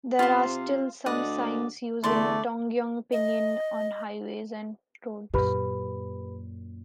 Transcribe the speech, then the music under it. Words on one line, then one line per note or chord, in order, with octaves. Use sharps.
There are still some signs using Tongyong Pinyin on highways and roads.
C3 F4 C5
D2 D5 D#5 F#5
E2 D3 A3 D5 C6
D#5
F#2 A#2 G4 B4 B5